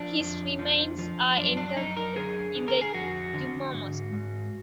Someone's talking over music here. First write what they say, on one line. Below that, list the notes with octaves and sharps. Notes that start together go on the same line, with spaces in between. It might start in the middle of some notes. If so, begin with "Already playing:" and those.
His remains are entombed in the Jumah mosque.
Already playing: F3 D4
F2
F3
F3
F#2 D4
D4
F#2 D#4
A#4
D3 G#4
D3
A#4
G#4
F2 F#4
D3
G#2
G#2